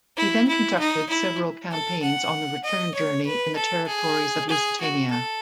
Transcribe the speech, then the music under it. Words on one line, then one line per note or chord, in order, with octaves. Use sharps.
He then conducted several campaigns on the return journey in the territories of Lusitania.
E4
E4
D#4
E4
A4
F#5
D#5
C#5
B4
A4
G#4
G#4
F#4
A4